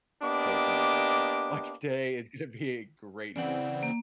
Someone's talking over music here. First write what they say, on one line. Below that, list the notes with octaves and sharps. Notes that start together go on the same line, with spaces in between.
"Today's gonna be a great day. Like, today is gonna be great eating."
A#3 B3 D4 G4 D#5 D6
C#3 E3 C4 D5 F#5
A#3